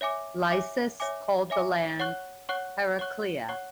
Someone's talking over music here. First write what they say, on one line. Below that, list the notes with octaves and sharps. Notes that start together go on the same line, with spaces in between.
Lycus called the land Heraclea.
C#5 E5 G#5 D6
C#5 E5 G#5 D6
C#5 E5 G#5 D6
C#5 E5 G#5 D6
C#5 F#5 C#6 F#6
C#5 F#5 C#6 F#6
C#5 F#5 C#6 F#6
C#5 F#5 C#6 F#6